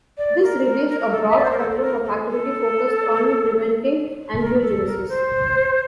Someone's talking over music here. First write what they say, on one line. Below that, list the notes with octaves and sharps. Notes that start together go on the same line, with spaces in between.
This reveals a broad spectrum of activity focused on preventing angiogenesis.
D5
A#4
A#4
A#4
A#4
A4
E5
D5
C5
A#4
A4
A4
A#4
A4
A4
A#4
A4
A#4
C5